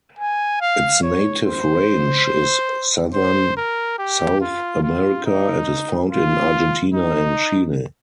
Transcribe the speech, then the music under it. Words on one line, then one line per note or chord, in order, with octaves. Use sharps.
Its native range is southern South America and is found in Argentina and Chile.
G#5
F5
C#5
C5
C5
A#4
G4
F4
F4
D#4
F4
D#4